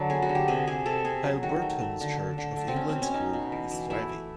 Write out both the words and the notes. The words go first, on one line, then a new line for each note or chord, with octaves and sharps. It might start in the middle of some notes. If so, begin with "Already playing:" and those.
Aylburton Church of England School is thriving.
Already playing: D3 F#3
B3 G#4
F#4
D3
G4
C3 G#4
C3 G#4
C3 A4
C3 G#4
F#3
D#3 F#4
A3
A3
D3
D3
D3
A3
C4
B2 C#4
C4
B2
C#4
A3 D#4
B2
E3
E3
A3 E4
A3